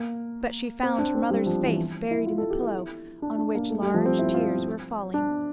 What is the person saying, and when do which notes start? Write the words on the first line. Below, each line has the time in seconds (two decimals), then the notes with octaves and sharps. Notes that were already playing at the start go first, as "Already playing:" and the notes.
But she found her mother's face buried in the pillow, on which large tears were falling.
Already playing: A#3
0.83 C4
0.98 D4
1.15 C4
1.31 G3
1.46 F3
1.63 E3
2.11 E4
2.26 F4
2.38 A4
2.50 G4
2.62 E4
3.22 D4
3.38 D4
3.55 A#3
3.70 A3
3.82 G3
3.94 F3
4.06 C4
4.19 E4
4.34 F4
5.14 D4